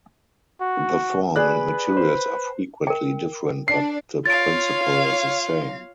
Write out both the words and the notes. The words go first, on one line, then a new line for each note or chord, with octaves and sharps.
The form and materials are frequently different, but the principle is the same.
F#4
G#4 B4 D5 F#6
C5
A#4 G5
D4 C7
F4 C#5 F5 A6 D7